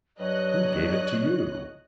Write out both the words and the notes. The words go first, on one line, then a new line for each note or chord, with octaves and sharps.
Who gave it to you?
G2 F#3 C#5 D#5 F#6